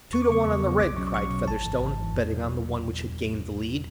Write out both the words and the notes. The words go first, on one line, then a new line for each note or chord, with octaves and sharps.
"Two to one on the red!" cried Featherstone, betting on the one which had gained the lead.
E2 C#6
D6
C#3 F#3 B3 C#6
E2
C#3 F#3 B3
B1 D6
B2 F#3 C#4 C#6
B1 C#6
B2 F#3 C#4
G#1 A5
G#2 E3
G#1
G#2 E3
E2
B2 F#3